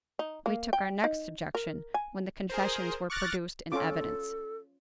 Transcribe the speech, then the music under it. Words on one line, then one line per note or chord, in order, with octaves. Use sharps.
We took our next objection when the confessions were produced in evidence.
D#4
A#3
G5
D#4
A#4
G#5
G#4 A#4 C5
C#6 D6 F6 F#6 A6 A#6
C#4 F4 A4 D6